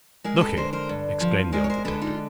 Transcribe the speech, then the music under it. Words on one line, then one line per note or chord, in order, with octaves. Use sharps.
"Look here!" exclaimed the old detective.
G#3 G#4 A#4
A4 B4
D3 A#4 C5
A#4 C5
G2
F3
G#3 A#4 C5
C#5
A#4 C5
D3 A4 B4
D#4 F4